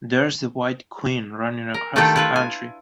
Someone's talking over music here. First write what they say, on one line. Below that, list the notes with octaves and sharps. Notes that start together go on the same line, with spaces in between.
There’s the White Queen running across the country!
A#4
D#3 A3 D4 F4 G4 A4
E4 F4 B4
G#5